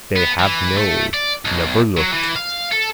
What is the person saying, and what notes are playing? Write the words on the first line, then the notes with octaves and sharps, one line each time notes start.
They have no. Never looked.
B3
E3
A3
D5
B1
F#3
E3
F5
A4